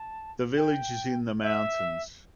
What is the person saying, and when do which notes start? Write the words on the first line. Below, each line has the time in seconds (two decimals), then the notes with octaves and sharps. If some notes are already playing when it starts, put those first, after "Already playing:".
The village is in the mountains.
Already playing: A5
0.57 G5
1.42 E5